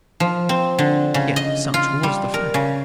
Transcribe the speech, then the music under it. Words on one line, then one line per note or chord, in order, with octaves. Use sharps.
Yet such was the fact.
F3
C4
D3
C#3
D#5
F4
G3
A#4
C#3